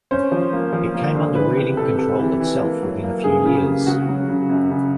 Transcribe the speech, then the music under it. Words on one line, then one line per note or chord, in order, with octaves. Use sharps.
It came under Reading control itself within a few years.
C#4 C5
F3
A#3
F3
A#3
D3
E3 B4
C3 G4
C3 A4
C3 A4
E3
E3
A#3
F#3
A#3
C#3 G#4
C#3
G4
A#3
C#3 F#4
F#3
C#3
F#2
C#3